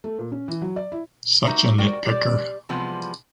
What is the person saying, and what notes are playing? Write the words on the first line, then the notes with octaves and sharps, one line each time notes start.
Such a nitpicker.
A3
A#2
C#4
E3
F#3
D5
E4
D#4 F#4 G4 E5
F#4 A#4 D5 G5
G4 C5 D5
C3 E3 F3 G3 G#3 B3